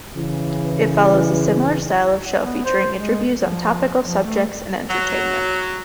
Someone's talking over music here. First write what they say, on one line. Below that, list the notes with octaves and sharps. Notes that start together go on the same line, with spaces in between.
It follows a similar style of show, featuring interviews on topical subjects and entertainment.
C#3 E3
B3
C5
G#3
F3
F3
A3
F#3